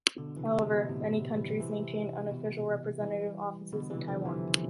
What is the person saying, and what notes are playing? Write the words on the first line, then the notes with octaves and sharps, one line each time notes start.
However, many countries maintain unofficial representative offices in Taiwan.
B2 D3
C3 E3
C3
B2
A2 C3
E3 G3
C3 E3
B2
E3 G3
B2 D3
C3 E3
D3 F3
C3 E3